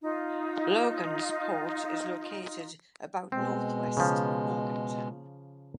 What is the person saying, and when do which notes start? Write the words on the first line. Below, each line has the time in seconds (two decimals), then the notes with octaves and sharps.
Logansport is located about northwest of Morgantown.
0.02 D#4 F4
3.32 B2 G#3 C4
3.97 C#3 F3